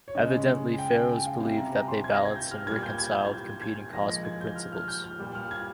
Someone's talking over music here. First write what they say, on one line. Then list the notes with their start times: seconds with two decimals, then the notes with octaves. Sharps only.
Evidently, pharaohs believed that they balanced and reconciled competing cosmic principles.
0.08 C#5
0.15 C#3 G#3 D#5
0.74 G#5
0.78 G5
0.94 G#5
1.09 G5
1.25 F5
1.41 C3 G3 G5
1.57 A#5
1.68 G#5
1.72 A#5
1.88 C6
2.04 G#6
2.15 A#6
2.25 G#6
2.36 G6
2.51 F6
2.67 A#2 G3 G#6
2.83 G6
2.98 G#6
3.12 G6
3.25 G#6
3.62 G#6
3.93 A#2 F3 G#3 A#6
4.09 A#6
4.25 G#6
4.41 G6
4.56 F6
4.72 F6
4.88 G6
5.04 F6
5.19 A#2 G3
5.35 F6
5.51 G#6